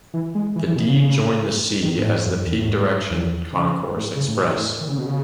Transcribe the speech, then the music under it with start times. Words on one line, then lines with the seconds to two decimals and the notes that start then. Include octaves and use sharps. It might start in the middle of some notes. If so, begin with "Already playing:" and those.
The D joined the C as the peak direction Concourse Express.
0.14 E3
0.35 G#3
0.56 E3
0.66 E3
0.76 B2
0.87 C#3
1.82 D#3
1.97 G#2
2.04 A2
2.26 F#2
2.46 E2
2.58 A2
2.68 G#2
3.11 E2
3.53 C#3
3.95 A2
4.16 C#3
4.28 A2
4.37 B2
4.58 A2
4.80 D#3
4.88 C#3
4.98 B2
5.06 C#3